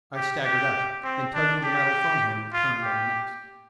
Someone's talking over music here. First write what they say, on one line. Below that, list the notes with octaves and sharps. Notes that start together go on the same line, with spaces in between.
I staggered up, and tugging the metal from him turned on the next.
G4
G4
C4
D4
G4
F4
G4